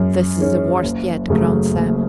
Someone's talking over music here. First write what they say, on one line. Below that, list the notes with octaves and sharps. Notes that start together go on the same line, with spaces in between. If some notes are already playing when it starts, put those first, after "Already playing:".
"This is the worst yet!" groaned Sam.
Already playing: F#2 G#3 C#4
D#3 G#3 C#4
F#1
F#2 C#3 F#3 A3
F#1